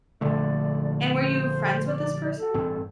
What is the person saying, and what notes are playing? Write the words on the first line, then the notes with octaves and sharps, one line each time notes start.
And were you friends with this person?
A#1 D3 A3 D5
C5
D5
A4
A1 G2 C4